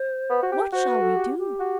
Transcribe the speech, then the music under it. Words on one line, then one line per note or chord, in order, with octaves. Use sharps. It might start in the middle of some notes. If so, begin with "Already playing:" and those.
What shall we do?
Already playing: C5
B3
F#4
G4
F#4 C5
B4
A4
G4
G4
F#4